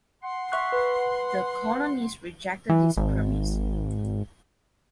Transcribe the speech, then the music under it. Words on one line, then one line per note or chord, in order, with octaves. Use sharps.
The Colonies rejected this premise.
F#5 C6
E5 C#6 F#6
B4
E3
G#1